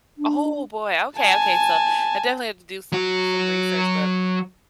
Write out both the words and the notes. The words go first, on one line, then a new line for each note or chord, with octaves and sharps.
Oh, boy, okay, okay, so I definitely have to do some some research, but
D4
G#5 A5
F#3 F#4